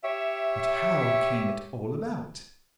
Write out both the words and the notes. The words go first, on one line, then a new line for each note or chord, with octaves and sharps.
But how came it all about?
G4 C#5 E5